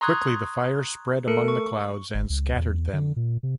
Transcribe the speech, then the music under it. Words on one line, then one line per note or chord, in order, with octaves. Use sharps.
Quickly the fire spread among the clouds and scattered them.
A#5 C6 C#6 D#6 F#6 G#6
A3 A4 A#4 C#7
C#6
G1
C#2
E2
D3
A#2
C3